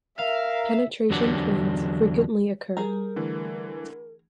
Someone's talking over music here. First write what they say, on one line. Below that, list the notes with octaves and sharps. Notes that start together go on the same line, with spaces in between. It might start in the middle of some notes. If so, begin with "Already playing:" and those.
Penetration twins frequently occur.
A#4 E5 F5
E2 D3 F#3 D4 G4 F#5
G3 G#4 A#4 A#5
D3 E3 A3